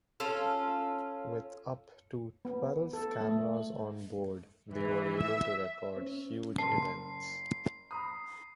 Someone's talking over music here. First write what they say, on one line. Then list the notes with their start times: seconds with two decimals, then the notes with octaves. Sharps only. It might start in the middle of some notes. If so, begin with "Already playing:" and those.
With up to twelve cameras on board they were able to record huge events.
0.20 C#4 F4 A4
2.45 B3
2.93 A4
3.21 A3
4.73 E3
5.18 E5
5.96 C#4
6.58 F#1 A#4 A5 C6 C7
7.91 A#5 B5 D#6